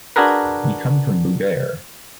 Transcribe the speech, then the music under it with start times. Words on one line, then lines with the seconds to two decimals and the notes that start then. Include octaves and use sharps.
We come from Búger.
0.16 D4 F#4 G#4 A#4 B4